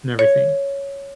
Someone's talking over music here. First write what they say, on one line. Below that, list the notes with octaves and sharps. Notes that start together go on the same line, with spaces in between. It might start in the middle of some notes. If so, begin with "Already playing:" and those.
and everything.
C#5